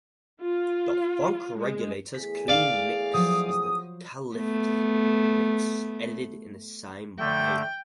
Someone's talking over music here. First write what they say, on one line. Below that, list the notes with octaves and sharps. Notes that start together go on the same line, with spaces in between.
"The Funk Regulators Clean Mix" is the "Kaliphz Mix" edited in the same way.
F4
G#3
E2 A3 G#4 B6
D5 F5
F3 F#3 D#6
A3 B3
D3 A3 G5